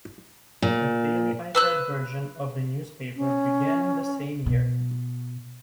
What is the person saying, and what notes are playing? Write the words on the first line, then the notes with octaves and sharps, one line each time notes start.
A daily iPad version of the newspaper began in the same year.
A#2
B4 E6 F#6
C#4
B2